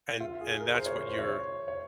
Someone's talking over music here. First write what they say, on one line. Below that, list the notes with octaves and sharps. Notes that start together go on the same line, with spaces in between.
and and that's what your
F4
G#4
A#4
C5
C#5
C5
C5
C#5
C#5